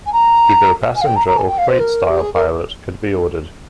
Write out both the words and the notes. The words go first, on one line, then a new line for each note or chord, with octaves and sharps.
Either a passenger or freight style pilot could be ordered.
G#5
A#5
G#5
F5
G5
A#5
A#5
G#5
G5
F5
C5
A#4
G4
G#4
A#4